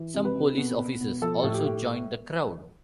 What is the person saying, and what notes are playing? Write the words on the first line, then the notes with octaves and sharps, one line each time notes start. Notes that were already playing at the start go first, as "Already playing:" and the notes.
Some police officers also joined the crowd.
Already playing: E3
C3
B4
C3
B2
B2
B2
F3 A4
A2
G4
A2